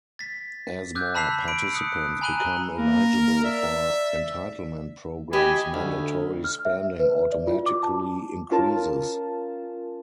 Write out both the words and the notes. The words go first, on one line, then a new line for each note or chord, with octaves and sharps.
As more participants become eligible for entitlement programs, mandatory spending automatically increases.
A6 B6
D6 E6 F#6 G6
A5 B5 E6 B6 C7 F7
B5 D7
D#6 F#6 C#7
G#5 A#5 B5 F#6 D#7 G7
A#3 A#4
D5 E5
G4 D#5 G#5 B5
D2
F6
E5
B4
D5
F4
D6
A5
C#4 F4 A#4 A5